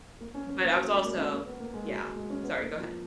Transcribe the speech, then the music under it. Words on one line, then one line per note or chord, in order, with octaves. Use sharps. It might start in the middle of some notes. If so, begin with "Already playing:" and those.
But I was also Yeah, sorry, go ahead.
A#3
C#4
C#4
A#3
F#3
G#3
A#3
C#4
A#3
B3
A#3
G#3
F#3
G#3
G#3
C#4
B3
A#3
F3